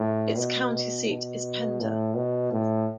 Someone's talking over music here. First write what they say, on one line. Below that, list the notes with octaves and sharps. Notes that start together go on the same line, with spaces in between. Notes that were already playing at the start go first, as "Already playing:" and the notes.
Its county seat is Pender.
Already playing: A2
B2
B2
B2
A2
B2
A2